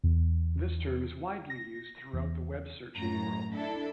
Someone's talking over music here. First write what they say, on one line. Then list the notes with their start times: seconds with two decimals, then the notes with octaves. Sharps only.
This term is widely used throughout the web searching world.
0.04 E2
1.50 A#6
2.13 E2
2.97 F#2 A2 A#5
3.53 D4 E4 A4